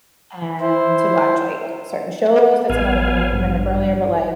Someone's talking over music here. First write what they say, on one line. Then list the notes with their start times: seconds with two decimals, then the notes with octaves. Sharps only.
and to watch like certain shows, that's another thing I didn't bring up earlier, but, like,
0.61 E4 C5
2.70 A1 B3 F5 G#5
3.33 G2